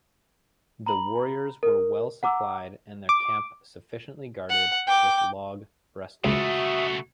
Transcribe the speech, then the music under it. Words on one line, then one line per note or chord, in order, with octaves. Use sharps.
The warriors were well supplied and their camp sufficiently guarded with log breastworks.
A#5 B5 F#7
A#4
F#5 A#5 D6 E6
D6
F#5
G5 D6
C#2 C#3 A3 F#4 E5 D#6